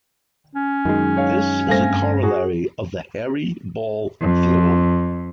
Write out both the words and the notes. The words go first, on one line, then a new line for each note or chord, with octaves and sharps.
This is a corollary of the hairy ball theorem.
C#4
F#2 D#3 F#3 G#3
D#3 C#5 F5
G2 A3 C4 F5 G#5 A#6
F#4 G#4
F2